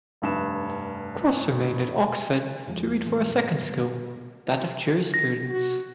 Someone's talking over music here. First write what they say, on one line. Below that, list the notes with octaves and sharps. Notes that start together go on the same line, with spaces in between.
Cross remained at Oxford to read for a second school, that of Jurisprudence.
F1 G2 E7
F#1 E2 F3 G#3
A2 E3 G#3
G#1 G2 A#2 G3
A#6
F#4